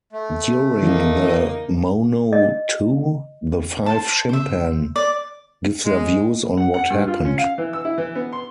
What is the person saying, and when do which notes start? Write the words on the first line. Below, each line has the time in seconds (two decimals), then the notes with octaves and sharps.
During the "mono-ii" the five "shimpan" give their views on what happened.
0.13 A3
0.83 E3 A#3 D#4
2.33 D#5
3.86 C5 A5
4.29 C5 E5
4.96 D5
5.85 G#3
6.57 F#5
6.74 F#5
6.90 G2
7.08 F4
7.25 C#4
7.38 F5
7.58 E3
7.73 E6
7.85 E4
7.98 E3
8.15 B3
8.33 C6